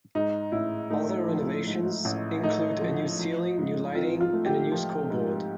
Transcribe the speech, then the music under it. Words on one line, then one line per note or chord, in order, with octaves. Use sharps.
Other renovations include a new ceiling, new lighting, and a new scoreboard.
G#2 D#4
A1 E4
A3 D#4
F3
G#2
A1
A3 D#4
F3
F3
G#2
C4 F4
F4
A3
G4
F3
G#2